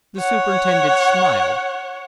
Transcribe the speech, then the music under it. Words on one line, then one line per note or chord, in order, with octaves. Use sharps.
The superintendent smiled.
C#5 F#5